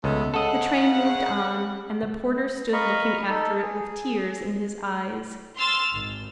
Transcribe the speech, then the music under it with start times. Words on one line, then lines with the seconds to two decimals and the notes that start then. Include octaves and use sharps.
The train moved on, and the porter stood looking after it with tears in his eyes.
0.04 C#2 G#3 A3 B3
0.34 C#3 A4 D#5 F#5
2.73 D#5 F5 A#5 B5 C#6
3.29 D#4 A4
3.62 G#4
5.57 C6 E6 F6 A6
5.94 G#1